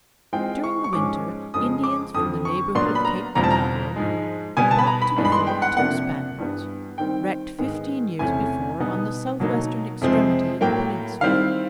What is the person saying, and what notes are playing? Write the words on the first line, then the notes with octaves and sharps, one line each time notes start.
During the winter, Indians from the neighborhood of Cape Canaveral brought to the fort two Spaniards, wrecked fifteen years before on the southwestern extremity of the peninsula.
E3 G#3 C4 F4 G5
C#6
C#6
G#2 F3 G#3 C#4 D6
F2 C#3 F3 G#3 D#6
D6
F2 D3 F3 D#6
C#6
A#2 F#3 B3 D4 F4 C6
B5
A#5
E2 B2 G3 C4 F4 A#5
A5
A#5
G#2 F3 G#3
B2 G3 B3 G#5
A5
B5
A#5
B5
G2 E3 G#3 B3 D4
B5
C6
G5
F#5
F2 C3 F3 A#3 D4 F#5
G2 E3 G3 B3
D#3 G3 C4 G5
G#2 D#3 G#3 B3
E2 C3 E3 A3 C#4 G#5
B2 G3 B3 D#4
B2 F#3 A#3 D#4
F2 C3 F3 G#3 C4
A2 F#3 A#3 G5
D#3 G3 C4 E4 F5